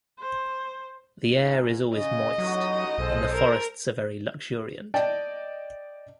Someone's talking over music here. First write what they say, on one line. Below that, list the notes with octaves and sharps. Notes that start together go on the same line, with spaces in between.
The air is always moist, and the forests are very luxuriant.
C5
G#2
C#3 D#5
A1 F#3 D#4 F#4
B1 G#3 A4 C5
A#4
D5 D#5 G5 A5